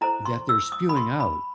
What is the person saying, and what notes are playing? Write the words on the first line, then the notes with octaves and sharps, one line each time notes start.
that they're spewing out
E4 A4 C5 A#5
C6
E6
D#6
B5
C6
B5